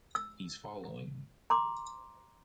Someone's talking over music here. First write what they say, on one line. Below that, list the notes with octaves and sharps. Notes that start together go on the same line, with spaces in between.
He’s following.
E6
A#5 C6 D6